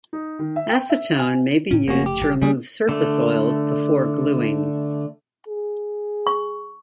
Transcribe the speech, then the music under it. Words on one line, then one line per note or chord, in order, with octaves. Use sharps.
Acetone may be used to remove surface oils before gluing.
D#4
D#3
E5
G5
E5
G#5
A2 C#4
F1 C#3 A3 A#3 C#4 F#4
G4
G1 B2
C#3 G3 A#3 D4 G#4
D3 A3
G#4
C#6